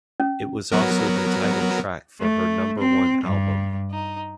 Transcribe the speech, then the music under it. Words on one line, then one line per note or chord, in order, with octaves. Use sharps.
It was also the title track for her number one album.
C#4
F#3 B3 A#4
A3
C4
G2
D#4